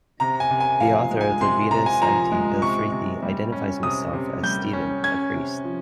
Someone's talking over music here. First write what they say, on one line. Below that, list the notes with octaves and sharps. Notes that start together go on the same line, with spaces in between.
The author of the "Vita Sancti Wilfrithi" identifies himself as "Stephen, a priest".
C3 A#5
G#5
C3
G#5
F3 F5
G#3
G#5
C3 C6
C3 A#5
G#5
F3 A#5
G#3
C3 C#6
C3
G3
C#4
C3 D#6
C3
G3 G6
C#4
C#4 G#6
C3
F3